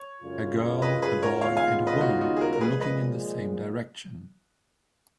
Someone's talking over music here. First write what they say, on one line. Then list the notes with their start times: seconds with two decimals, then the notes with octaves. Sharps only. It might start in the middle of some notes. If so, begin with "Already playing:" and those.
A girl, a boy, and a woman looking in the same direction.
Already playing: C#5
0.22 F#2 C#3 G#3 C#4 F4
0.82 B4 D#5
1.02 G#4 B4
1.22 A#4 C#5
1.41 D#2 C#3 G#3 B3 F4 C#5 F5
1.57 F5 G#5
1.87 B4 D#5
2.01 D#4 F#4
2.21 D#4 F#4
2.36 G#4
2.41 F#4 A#4
2.53 A#4
2.61 A#2 F3 G#3 G#4 B4
2.80 B4 D#5